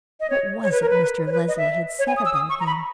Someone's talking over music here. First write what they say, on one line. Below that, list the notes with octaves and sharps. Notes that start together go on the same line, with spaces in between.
What was it Mr. Leslie had said about him?
D#5
C#5
C#5
B4
A#4
B4
C#5
B4
D#5
E5
C#5
G#5
D#6
E6
D#6
C#6
A#5
B5